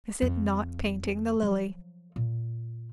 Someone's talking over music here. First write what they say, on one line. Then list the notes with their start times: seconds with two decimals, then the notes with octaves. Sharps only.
Is it not painting the lily?
0.22 F2
1.42 F3 F#3
2.16 A#2